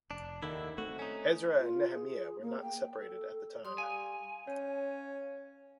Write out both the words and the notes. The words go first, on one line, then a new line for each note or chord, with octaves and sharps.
Ezra and Nehemiah were not separated at the time.
F1 D4
D#2 D3 D#3 E4
A3 C4 F#4
C#4 D#4
F4
G#4
A#3
G5
A4
G3 C6 D#6
F5 G#5
C#4 C#5